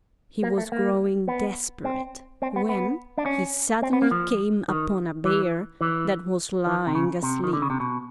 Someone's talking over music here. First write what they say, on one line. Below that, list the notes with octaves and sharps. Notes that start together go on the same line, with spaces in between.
He was growing desperate, when he suddenly came upon a bear that was lying asleep.
A#3
A3
A#3
B3
C4
C4
B3
B3
D4
C#4
C4
B3
A#3
F3
D#3
E3
E3
E3
C3
C#3
C3
D#3
D3
C#3
C3
B2